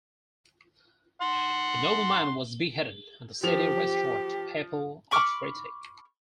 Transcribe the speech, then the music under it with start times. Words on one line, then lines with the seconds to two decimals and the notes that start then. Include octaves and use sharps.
The nobleman was beheaded and the city restored to Papal authority.
1.21 F#5 C6
3.43 F3 G4 F7
5.11 B5 C#6 D6 F6